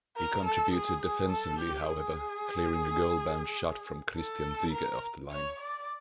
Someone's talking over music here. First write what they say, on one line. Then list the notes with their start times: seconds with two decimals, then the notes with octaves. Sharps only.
He contributed defensively, however, clearing a goal-bound shot from Christian Ziege off the line.
0.17 A#4
0.45 A4
0.73 G#4
1.02 G#4
1.30 A4
1.59 G4
1.88 G#4
4.16 A4
4.73 A#4
5.31 C#5
5.59 D5